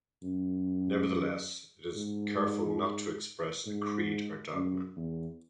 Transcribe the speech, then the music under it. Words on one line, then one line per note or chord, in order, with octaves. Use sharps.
Nevertheless, it is careful not to express a creed or dogma.
F#2
G#2
G#2
F#2
E2